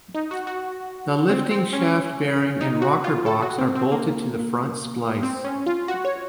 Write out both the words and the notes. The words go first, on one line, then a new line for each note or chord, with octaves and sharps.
The lifting-shaft bearing and rocker-box are bolted to the front splice.
D#4
F#4
F#4
C4
C4
C#4
D#4
F#4
F4
A4
F#4
C4
C4
A#3
C4
C#4
F4
F#4
C#5